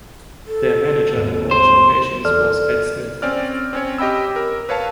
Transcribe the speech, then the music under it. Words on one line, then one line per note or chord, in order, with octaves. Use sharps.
Their manager in both locations was Ed Smith.
A4
G#1 D#2
C5
E2 A4 D5 F6
C4 C#4 D5 F6
C4 C#4 C#5
G4 D#5 G5 B5 E6
A#4
B4 C#5 F5 A5